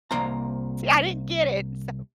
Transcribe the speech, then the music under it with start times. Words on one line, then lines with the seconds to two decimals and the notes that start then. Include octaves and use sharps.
See, I didn't get it, so
0.11 C2 A#3 C5 F5 A#5